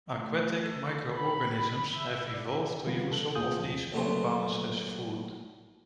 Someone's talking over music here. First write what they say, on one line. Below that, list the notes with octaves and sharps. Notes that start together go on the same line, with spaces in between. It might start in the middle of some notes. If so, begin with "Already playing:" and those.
Aquatic microorganisms have evolved to use some of these compounds as food.
A3
A4
B5
E5
D5
D3 E3 G3 B3 F4
A4
D2 A#2 F4 G#4 D#6 G6
D#2 F3
A#1 F#3 A3 B3 C6